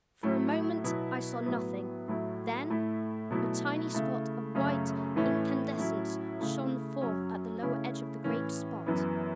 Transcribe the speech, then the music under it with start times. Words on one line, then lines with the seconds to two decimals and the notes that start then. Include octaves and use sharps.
For a moment I saw nothing--then a tiny spot of white incandescence shone forth at the lower edge of the great spot.
0.23 A2 F#3 A3 E4
0.84 B2 F#3 B3 E4
1.46 A2 F#3 B3
2.08 A2 F#3 A3 E4
2.70 A2 A3 E4
3.31 B2 F#3 A3 E4
3.93 C#3 A3 E4
4.55 F#2 C#3 A3 C#4
5.16 A2 E3 A3 C#4 E4
5.77 A2 F#3 C#4 E4
6.39 C#3 A3 E4
7.02 F#2 F#3 C#4
7.62 C#3 A3 C#4 E4
8.24 A2 E3 C#4
8.86 F#2 E3 B3 E4